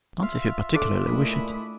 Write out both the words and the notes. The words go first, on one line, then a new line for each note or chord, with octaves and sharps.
"Not if you particularly wish it."
F4 E5 F5
D4 A4 D6
A#2 G#3 A3 E4 B5 D#6